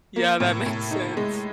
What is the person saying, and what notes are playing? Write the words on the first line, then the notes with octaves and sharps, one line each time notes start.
Yeah, that makes sense.
A#3
A2
A2
D#4
G#3